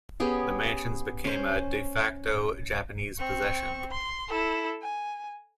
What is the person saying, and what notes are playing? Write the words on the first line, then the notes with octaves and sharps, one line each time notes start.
The Mansions became a "de facto" Japanese possession.
B3 C#4 G4 G#4
C#4 C5
C4 C#6
C6
E4 A4
G#5